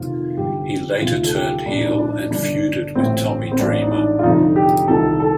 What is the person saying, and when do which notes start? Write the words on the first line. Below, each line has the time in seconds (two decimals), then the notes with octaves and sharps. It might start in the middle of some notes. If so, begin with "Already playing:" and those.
He later turned heel and feuded with Tommy Dreamer.
Already playing: F1 F2 C3 D#3 F4
0.37 G1 G2 D3 G4
1.02 D2 C3 D#3 F4
1.24 A4
1.34 G4
1.66 A#1 A2 D4
1.76 D#4
1.86 D4
1.98 D4
2.30 G1 G2 D3 D4
2.95 A1 A2 C4
3.52 C4
3.59 A1 A2 D4
3.82 D#4
3.92 D4
4.19 F4
4.23 F1 F2 D3 D#4
4.56 G4
4.88 C2 C3 D#3 A4
5.20 A4